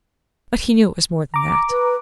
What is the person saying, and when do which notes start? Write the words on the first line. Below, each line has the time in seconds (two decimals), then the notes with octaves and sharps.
But he knew it was more than that.
1.34 A#5 D6
1.70 B4